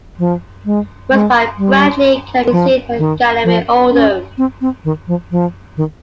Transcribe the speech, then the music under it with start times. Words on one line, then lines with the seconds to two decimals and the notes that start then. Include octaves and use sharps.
Works by Bradley can be seen at Gallery Oldham.
0.19 F3
0.65 G#3
1.12 G#3
1.58 G3
2.52 F3
2.98 D#3
3.44 F3
3.92 C#4
4.38 C4
4.61 C4
4.85 D#3
5.08 F3
5.31 F3
5.77 D#3